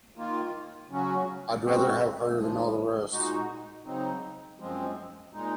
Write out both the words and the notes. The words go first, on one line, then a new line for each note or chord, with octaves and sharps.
I'd rather have her than all the rest.
D#3 A#3 F4
C#3 F#3 C#4 F#4
C#3 G#3 C4 F#4
G#2 F3 G#3
A#2 G#3 D#4 F#4
C#3 F#3 C4 D#4
F#2 F3 G#3 C4
A#2 G#3 D#4